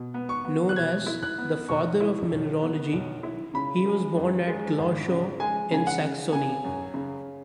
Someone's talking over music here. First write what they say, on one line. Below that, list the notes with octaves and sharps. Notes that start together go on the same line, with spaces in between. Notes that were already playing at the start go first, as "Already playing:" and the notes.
Known as "the father of mineralogy", he was born at Glauchau in Saxony.
Already playing: B2
B3
C#6
B3
F#6
B2 G#6
E4
F#6
B3
B1 C#6
E4
B1
B3
B1
E4
C#3 B5
G#3
F#2
G#3
G#1
C#3
G#3 G#5
C#3 G#5
F#5
C#3
C#3 G#5
F#2
C#3